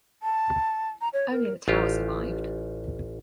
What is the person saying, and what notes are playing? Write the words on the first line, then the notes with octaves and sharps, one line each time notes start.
Only the tower survived.
A5
A#5
C#5
A#4
A1 F4 G4